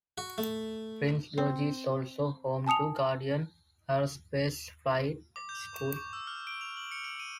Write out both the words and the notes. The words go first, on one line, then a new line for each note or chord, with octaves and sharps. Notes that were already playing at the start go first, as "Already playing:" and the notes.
Prince George is also home to Guardian Aerospace Flight School.
F#4
A3
C4
G#5 A5 D#6 C#7 F7
D6
G6
C#6
C#6
E6
F6
D7
F7
F#7
C#7
D7
D#7